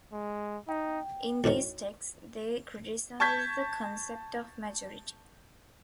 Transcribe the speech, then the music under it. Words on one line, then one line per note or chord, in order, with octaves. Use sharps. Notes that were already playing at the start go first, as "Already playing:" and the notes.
In these texts, they criticize the concept of "majority".
G#3
D#4
D2 A2 D#3 C#4
A5 C#6 G6 G#6 B6